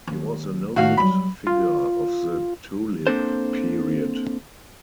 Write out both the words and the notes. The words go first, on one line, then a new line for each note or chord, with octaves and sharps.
He was a noted figure of the Tulip period.
D#2
A2 D#3 F#4 F5
F#3 G3 B5
F4
A#3 C4 D4 A4 C5